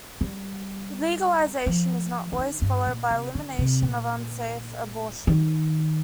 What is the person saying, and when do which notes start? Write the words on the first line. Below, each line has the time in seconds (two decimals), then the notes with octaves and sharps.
Legalization is not always followed by elimination of unsafe abortion.
0.21 G3
1.66 F3
2.32 D3
2.38 D#3
2.62 G2
2.87 A#2
3.11 C3
3.35 D3
3.59 C3
3.82 A#2
5.27 D#3